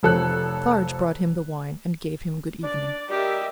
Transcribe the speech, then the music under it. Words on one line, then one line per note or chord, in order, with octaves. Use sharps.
Defarge brought him the wine, and gave him Good Evening.
F1 F3 A4 C#5 F#6
D4 D5
G3 G4 A#4 D#5 E5